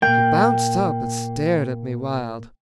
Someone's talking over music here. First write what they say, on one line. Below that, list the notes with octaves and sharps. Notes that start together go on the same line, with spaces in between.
He bounced up and stared at me wild.
A#2 A#3 G5